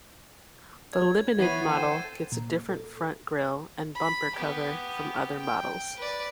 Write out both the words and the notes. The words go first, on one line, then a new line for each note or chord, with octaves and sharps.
The Limited model gets a different front grille and bumper cover from other models.
C#5 G#6
E3 B3 C#5 A6 C7 D#7
A4 C5 F#5 G5
A#2
A4
B5
B3 G4
G5
B4 D5